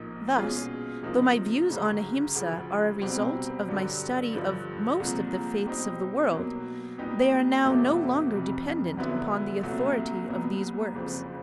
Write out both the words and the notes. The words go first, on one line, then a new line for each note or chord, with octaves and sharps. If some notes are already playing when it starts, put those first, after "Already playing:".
Thus, though my views on Ahimsa are a result of my study of most of the faiths of the world, they are now no longer dependent upon the authority of these works.
Already playing: A#1 A#2 F3 A#3 D#4
B2 G#3 C#4 F4 G#4
C#2 C3 F3 A#3 D#4
G1 F#2 C#3
D2 C#3 F3
C2 B2 G3 C4
G2 D3 F#3
G2 D3 F3
C2 A#2 F3 G#3
B2 G3 C4 D#4
B2 F#3 A#3
A#2 G3 B3 D#4 G4
E2 B2 F#3 A3 C4
F1 F2 C3
D2 D3 F#3 B3 E4
C2 A#2 F#3 A3
C2 A#2 G3 B3
F#1 F2 C#3 F3